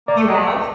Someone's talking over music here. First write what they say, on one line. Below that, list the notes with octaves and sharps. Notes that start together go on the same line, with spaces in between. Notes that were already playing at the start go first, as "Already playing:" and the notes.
You have?
A#3 D5
A3
G#3
A3